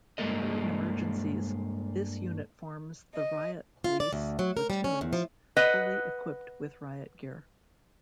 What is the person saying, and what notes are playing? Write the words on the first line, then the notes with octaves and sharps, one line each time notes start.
During emergencies, this unit forms the riot police platoons fully equipped with riot gear.
G2 C#3 G#3 A#3 A4 D#5
D#5
F4
D5
D2
F#3
A#4
G3
C#4
E2
F3
B4 D#5 F#5